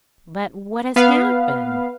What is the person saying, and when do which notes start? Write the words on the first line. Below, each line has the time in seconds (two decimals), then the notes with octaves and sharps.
"But what has happened?"
0.96 B3 B4 F5